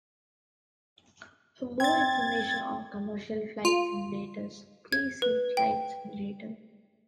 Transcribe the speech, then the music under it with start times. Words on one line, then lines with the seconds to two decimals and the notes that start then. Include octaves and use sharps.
For more information on commercial flight simulators please see Flight Simulator.
1.80 C4 G#6 A6
3.65 F4
4.92 G#6
5.22 B4
5.57 G5